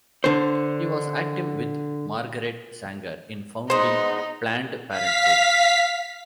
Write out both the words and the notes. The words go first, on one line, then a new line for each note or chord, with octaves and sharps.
He was active with Margaret Sanger in founding Planned Parenthood.
D3 C5
G#3 B3 D#4 C5
F5 B6